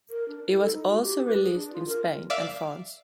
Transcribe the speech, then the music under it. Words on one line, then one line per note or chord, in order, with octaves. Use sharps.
It was also released in Spain and France.
A#4
D4
E4
A4
D#4
F#4
G4
B4
G#4
D4
F4
A#4
D5 E5 F5